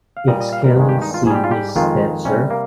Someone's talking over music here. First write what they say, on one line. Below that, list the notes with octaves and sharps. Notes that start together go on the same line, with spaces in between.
Its county seat is Spencer.
F5
A#2 G3 D#5
D#5
F5
A#4
G2 D#3 G#3
G4
D#4
F4
G#2 G3 G4 G#4
F4
G4
F2 D#3 G#3 F4
C3 G3 C#4
A#3